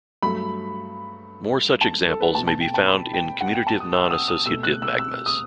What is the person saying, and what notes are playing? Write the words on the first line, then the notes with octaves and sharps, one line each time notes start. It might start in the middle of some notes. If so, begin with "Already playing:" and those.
More such examples may be found in Commutative non-associative magmas.
G2 F#3 A3 B5
A5
A4
B4
B2 A3 A5
A5
G5
A5
B5
G5
F#5
G5
A5
D#6
E6
D#6
D#6
B2 A3 E6
F#6
E6
E6
D#6